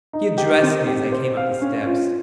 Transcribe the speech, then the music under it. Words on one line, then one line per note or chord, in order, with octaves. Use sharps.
He addressed me as I came up the steps.
D#4
G4
C4
G4
C5
F5
C#4
F4